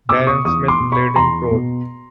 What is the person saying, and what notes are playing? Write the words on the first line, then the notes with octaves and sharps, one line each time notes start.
Darren Smith played in the Proles.
B2 D6 E6
C#6 D#6
E2 C#6 D#6
C6 D6
B2
B5 C#6
E2 A#5 C6
B2